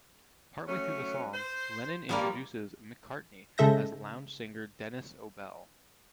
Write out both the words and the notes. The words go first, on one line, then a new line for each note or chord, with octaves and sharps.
Partway through the song, Lennon introduces McCartney as lounge singer Denis O'Bell.
F#3 A3 C#4
C5
G2 F3 G3 A#3
C#3 G#3 A4 E5 G6 A#6